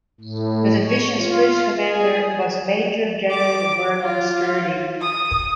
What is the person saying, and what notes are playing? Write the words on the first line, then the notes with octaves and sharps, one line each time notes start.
The division's first commander was Major General Vernon Sturdee.
A2
C#5
F4
G#4
D6
F4
D#6